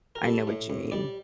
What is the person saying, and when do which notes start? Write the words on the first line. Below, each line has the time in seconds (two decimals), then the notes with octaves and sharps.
I know what you mean.
0.15 A#4
0.24 G3 A4
0.47 A2
0.70 A2
0.91 G3 D5